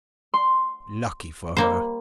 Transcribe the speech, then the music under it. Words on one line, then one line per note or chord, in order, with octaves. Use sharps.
Lucky for her!
C6
G3 A#3 C5